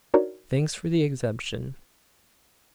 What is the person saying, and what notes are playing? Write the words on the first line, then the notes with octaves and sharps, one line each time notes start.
Thanks for the exemption.
D4 D#4 F#4 A#4 C#5 D5